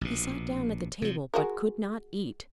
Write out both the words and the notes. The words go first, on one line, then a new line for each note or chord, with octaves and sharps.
He sat down at the table, but could not eat.
A#1 B2
C3 F3
G#3 F#4 A#4